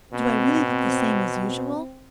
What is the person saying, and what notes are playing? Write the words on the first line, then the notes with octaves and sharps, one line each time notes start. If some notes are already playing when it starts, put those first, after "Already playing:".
Do I really look the same as usual?
B2 C4